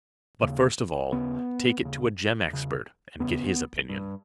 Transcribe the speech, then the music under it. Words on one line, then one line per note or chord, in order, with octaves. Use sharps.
But, first of all, take it to a gem expert, and get his opinion.
D#2 C#3
D#2 C#3 B3
D#2 C#3
E2 C#3
E2 C#3 B3
G2